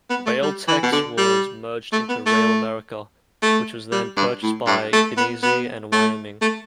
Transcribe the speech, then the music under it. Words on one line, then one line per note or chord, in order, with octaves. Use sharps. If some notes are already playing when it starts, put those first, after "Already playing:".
Railtex was merged into RailAmerica, which was then purchased by Genesee and Wyoming.
B3
A3
G3
E3
B2
D3
G3
A3
B3
A3
A3
G3
G2
A2
G2
A3
B3
B3
A3
A3